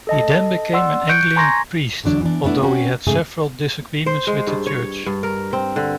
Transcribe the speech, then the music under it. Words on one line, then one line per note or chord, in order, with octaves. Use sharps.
He then became an Anglican priest, although he had several disagreements with the church.
A4 D#5 A5
D5 F#5 C6 E6
C#6 F#6 G6 C#7 D7
G#5 A#5 C6 C#6 G#6 A#6
E2 D3 F#3 D4
E3 D4
A3 B3 D4 E4
C4 C#4 F#4
G#2 C#3 A3 G#4
C5
G#3
G2
C#5
G2
A#4
C4
D3